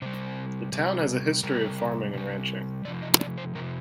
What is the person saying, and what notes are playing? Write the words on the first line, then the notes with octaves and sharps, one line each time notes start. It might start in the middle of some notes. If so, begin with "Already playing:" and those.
The town has a history of farming and ranching.
C3 G3 C5
C3 G3
C3 G3 A#4
C3 G3
C3 F3 D5
D#5
D5
C5
C3 F3 A#4